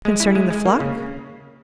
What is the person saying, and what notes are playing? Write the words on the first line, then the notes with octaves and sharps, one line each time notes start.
Concerning the flock?
G#3
E4
G#3
G#3
A#3
C#3